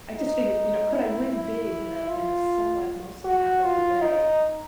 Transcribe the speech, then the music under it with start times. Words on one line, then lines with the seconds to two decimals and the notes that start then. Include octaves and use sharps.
I just figured, you know, could I win big in a in a somewhat, mostly ethical way?
0.15 D#4
0.93 E4
1.31 E4
2.09 F4
3.25 F#4
3.64 F4
4.02 D#4